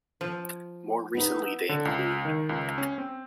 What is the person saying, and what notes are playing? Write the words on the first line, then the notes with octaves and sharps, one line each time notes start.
More recently, they include...
F3
B3 D#4 E4
D3
C#2
D#3
C#2
C#4
C4